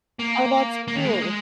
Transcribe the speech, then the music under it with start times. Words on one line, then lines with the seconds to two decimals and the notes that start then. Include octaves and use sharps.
Oh, that's cool.
0.19 A#3
0.88 A#3
0.96 D#3
1.05 G#3
1.13 A#3
1.22 G#3